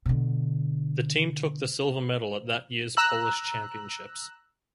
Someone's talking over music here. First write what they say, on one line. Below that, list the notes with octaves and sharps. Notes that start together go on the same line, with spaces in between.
The team took the silver medal at that years Polish Championships.
B2 D3
A#5 E6 F#6